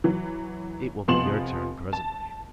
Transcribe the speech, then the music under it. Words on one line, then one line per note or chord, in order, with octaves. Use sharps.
"It will be your turn presently!"
E3 F#3
F1 F3 B3 C6 E7 F#7
A5